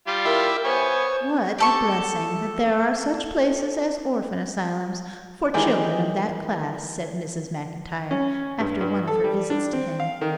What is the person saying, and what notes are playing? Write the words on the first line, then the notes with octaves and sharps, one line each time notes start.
"What a blessing that there are such places as orphan asylums for children of that class," said Mrs. Maclntyre, after one of her visits to him.
G3 F4
E4 G4 A#4 E5
B3 C5 C#5 G#5
G4 A4 C#6
D#3 E3 G#3 G4
C#4
G2
G2
A4
G3
D4
C4
F5
D#3